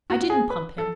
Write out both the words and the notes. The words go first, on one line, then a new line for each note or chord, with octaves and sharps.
I didn't pump him.
F#4
F#4
G#4
B4
A4